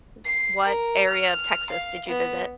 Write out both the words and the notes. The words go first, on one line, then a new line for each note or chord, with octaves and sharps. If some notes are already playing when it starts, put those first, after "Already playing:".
W what area of Texas did you visit?
C7
A#4
F6
F5
B3